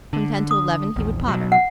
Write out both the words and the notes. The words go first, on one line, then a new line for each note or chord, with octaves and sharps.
From ten to eleven he would potter.
D3
D#6
A#1 E2
B2 F#3
F#5